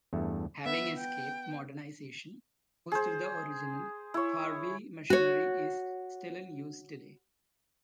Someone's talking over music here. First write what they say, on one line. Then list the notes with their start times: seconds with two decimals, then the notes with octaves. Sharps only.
Having escaped modernisation, most of the original Harvey machinery is still in use today.
0.13 E2 G2 A3
0.66 B3 E5
0.97 G5
2.92 G#4 C5
4.14 E4 C#5
5.10 F#4 C#5